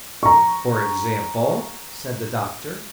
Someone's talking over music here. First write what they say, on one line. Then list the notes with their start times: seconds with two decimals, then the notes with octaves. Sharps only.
"For example?" said the Doctor.
0.23 A#5 C#6